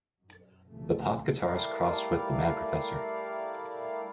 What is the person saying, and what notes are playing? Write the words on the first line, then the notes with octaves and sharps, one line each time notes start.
The pop guitarist crossed with the mad professor.
F#2
C2 A#2 C#3 E3 F3 A3
G3 A3 E4 A#4 D5 F5